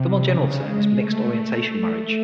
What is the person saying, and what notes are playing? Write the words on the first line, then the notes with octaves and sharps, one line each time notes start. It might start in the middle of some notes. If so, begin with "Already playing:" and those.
The more general term is mixed-orientation marriage.
Already playing: C3
C#3
G#3
A3